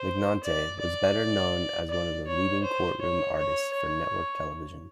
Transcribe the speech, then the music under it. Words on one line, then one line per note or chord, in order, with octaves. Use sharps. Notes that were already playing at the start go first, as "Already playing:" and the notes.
Lignante was better known as one of the leading courtroom artists for network television.
Already playing: C5
D5
D5
D5
C#5
C5
C#5
C#5
C#5